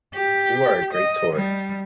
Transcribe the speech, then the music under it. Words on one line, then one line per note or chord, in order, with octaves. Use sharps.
You are a great toy!
G4
D#5
G3